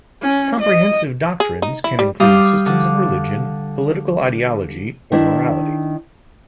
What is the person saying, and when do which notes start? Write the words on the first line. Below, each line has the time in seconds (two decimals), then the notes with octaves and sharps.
Comprehensive doctrines can include systems of religion, political ideology, or morality.
0.22 C#4
0.61 D#5
1.40 G#4
1.62 D#4
1.84 E4
1.99 G3
2.20 G3 G4 F5 D#6 E6
2.66 D3
5.12 D#3 D4 E4 B4